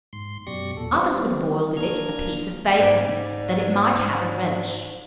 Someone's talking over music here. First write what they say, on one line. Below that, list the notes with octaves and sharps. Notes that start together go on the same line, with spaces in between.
Others would boil with it a piece of bacon, that it might have a relish.
G#2 C6
F#2 B2 G4 D5 C#6 A#6
E2 A#2 A4
G3 B3 C4
A#3 D4 A#5 F6 G#6
G#2 D5